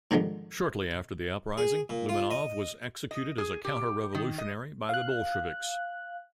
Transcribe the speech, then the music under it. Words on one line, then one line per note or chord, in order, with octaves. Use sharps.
Shortly after the uprising, Lamanov was executed as a counter-revolutionary by the Bolsheviks.
G#2 D3 D#3 F3 G3
G#4
A#2
F4
D#5
D#5
G#4
G4
D#3
D#5
F5 F#6